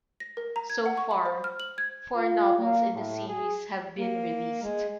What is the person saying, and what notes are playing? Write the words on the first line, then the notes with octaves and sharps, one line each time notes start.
So far four novels in the series have been released.
A#6
A#4
A#5
G#6
F#5
C#6
B5
C5
F6
F#7
G#6
F4
A#3
A2
G#4
A#3
G#3